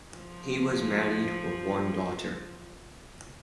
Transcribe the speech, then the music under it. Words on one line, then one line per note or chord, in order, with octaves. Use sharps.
He was married with one daughter.
F3